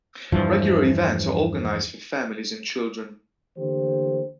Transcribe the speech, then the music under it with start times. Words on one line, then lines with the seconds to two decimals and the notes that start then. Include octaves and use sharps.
Regular events are organised for families and children.
0.32 E2 G2 E3 F3
3.57 D3 E3 A3 A#3 G4 C5